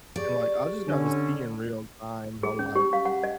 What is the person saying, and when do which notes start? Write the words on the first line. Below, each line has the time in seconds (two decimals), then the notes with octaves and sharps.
and, like, I just got to see in real time how, like
0.16 G4 G#4 D5 C#6
0.87 D3 C#4
2.43 G#4
2.59 C#4
2.75 G4
2.93 F5
3.05 F#5
3.23 D#5